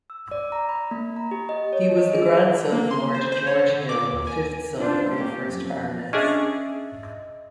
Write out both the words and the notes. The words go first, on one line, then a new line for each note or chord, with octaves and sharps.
He was the grandson of Lord George Hill, fifth son of the first Baroness.
E6
D5
A#5
B5
A#3
A#5
G4
D#5
C#5
D#5
G#4
A#3
C6
C5
C5
C#5
D3
D6
D#2
G#5
D4 F4 C5
A#3 C#4 G4
F2 F#3
C#4 D4 G#4 D#5 E5